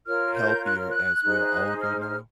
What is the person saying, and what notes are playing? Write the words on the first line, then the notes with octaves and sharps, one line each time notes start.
healthier as we're older now,
F4 A#4 C#5 F6
G6
F#6
F6
F#6
D#4 G#4 C5
F6
F6